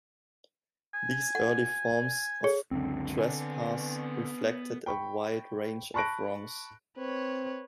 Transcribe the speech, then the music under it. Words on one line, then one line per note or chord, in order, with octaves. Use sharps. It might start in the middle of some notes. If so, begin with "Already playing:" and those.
These early forms of trespass reflected a wide range of wrongs.
G#5
F#5
G#4 C#5
C#2 F#2 D3 C4
D3 B3 G#5
G5 B5 C#6
A5 B5 C#6 F#6 A#6 D7
C4 B4 C#5